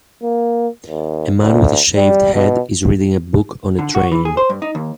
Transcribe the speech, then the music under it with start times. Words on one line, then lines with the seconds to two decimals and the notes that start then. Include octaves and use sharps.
A man with a shaved head is reading a book on a train.
0.23 A#3
0.87 D#2
1.41 D2
1.96 G3
2.34 B2
3.79 D3
3.95 F#4
4.12 E3
4.25 G#4
4.37 C5
4.50 G2
4.62 D#4
4.75 D#2